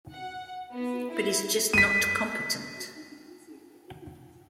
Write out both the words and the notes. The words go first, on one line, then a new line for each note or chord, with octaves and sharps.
But he's just not competent.
F#5
B3
E4
B6 D#7